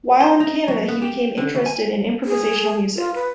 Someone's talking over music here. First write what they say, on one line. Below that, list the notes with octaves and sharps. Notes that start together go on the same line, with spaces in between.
While in Canada, he became interested in improvisational music.
C5
D#4
F#3
B3
G4
D3
D2
G#5
G#4
F4
B4